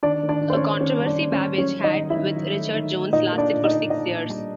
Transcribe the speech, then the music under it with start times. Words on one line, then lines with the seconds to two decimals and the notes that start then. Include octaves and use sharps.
A controversy Babbage had with Richard Jones lasted for six years.
0.03 D#3 D4 D5
0.23 D#3
0.29 D4 D5
0.41 D#3
0.50 C5
0.55 C#4 C#5
0.61 D#3
0.81 D#3 C#4 C#5
1.00 G3
1.06 D4 D5
1.19 A#3
1.32 C#4 C#5
1.39 G3
1.57 F#3 C#4 C#5
1.78 D#3
1.84 D#4 D#5
1.97 D#3
2.10 E4 E5
2.16 D#3
2.36 F#3
2.55 A3
2.74 D#3
2.93 A3
3.12 A#2 D#4 D#5
3.32 A#3
3.38 D4 D5
3.51 A#2
3.64 D#4 D#5
3.71 A#3
3.90 A#2 D#4 D#5
4.10 A#2
4.29 G3